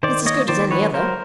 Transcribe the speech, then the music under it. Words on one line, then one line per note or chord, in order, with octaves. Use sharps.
"It is as good as any other."
D#3 C5 D5
A#3 C#5 D#5
D#3 C5 D5
F#3 B4 C#5
F#3 A#4 C5